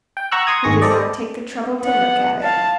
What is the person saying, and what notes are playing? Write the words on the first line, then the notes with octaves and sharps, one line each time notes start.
He did not take the trouble to look at it.
G5
F#5 A#5 C#6 E6 F#6
C6 D#6 G#6
G#1 D#3 G#4 C#6 A#6
A4 C5 D5 D#5
B3 F#5
F5 A5